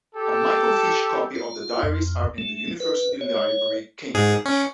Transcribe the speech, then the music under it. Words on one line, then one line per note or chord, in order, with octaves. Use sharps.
A microfiche copy of the diaries are in the University Library, Cambridge.
G4 A4
F4
F2
A3
B4
C#5
G#2 G#4
C#4